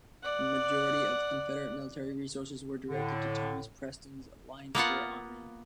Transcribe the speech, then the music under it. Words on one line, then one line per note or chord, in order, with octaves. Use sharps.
The majority of Confederate military resources were directed to Thomas Preston's Leinster Army.
D5 F#5
A2 D3
A#3 B3 F4 F#5